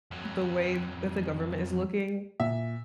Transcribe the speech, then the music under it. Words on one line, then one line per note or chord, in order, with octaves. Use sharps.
the way that the government is looking,
F2 F#3
A#2 E5